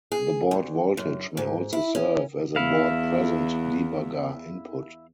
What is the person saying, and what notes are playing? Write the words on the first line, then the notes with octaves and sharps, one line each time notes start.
The board voltage may also serve as a "board present" debugger input.
G#4
D2
F#2
G#2
E4
C#4
E2 E4 F5